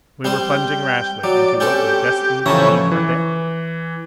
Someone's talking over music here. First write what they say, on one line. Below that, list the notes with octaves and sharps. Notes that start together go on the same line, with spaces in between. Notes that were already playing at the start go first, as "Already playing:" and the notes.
We were plunging rashly into what was destined to mean our death?
G3 C4 C5 G5
F#3 D5
C4 C#4 G4 A4
F2 C#3 E3 C#4 A5 A#5
E3